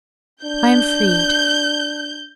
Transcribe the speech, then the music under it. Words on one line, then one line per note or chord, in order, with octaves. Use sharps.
I am freed.
D4 G6